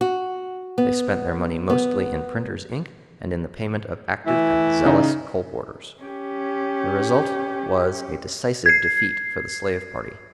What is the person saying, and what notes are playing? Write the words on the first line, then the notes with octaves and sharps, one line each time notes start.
They spent their money mostly in printer's ink and in the payment of active and zealous colporteurs. The result was a decisive defeat for the slave party.
F#4
B3
B3
E3 A3 E4
C#3 D#4
C#4 G4
G#6 C7